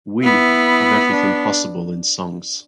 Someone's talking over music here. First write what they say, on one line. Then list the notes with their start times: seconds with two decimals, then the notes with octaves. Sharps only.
"We" have everything possible in songs.
0.23 B3 E4
1.10 D4